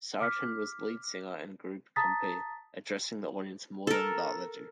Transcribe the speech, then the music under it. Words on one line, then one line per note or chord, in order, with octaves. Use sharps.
Sartin was lead singer and group-compere, addressing the audience more than the other two.
D6 F6 B6
A5 A#5 D#6 A6 B6
A4 A#4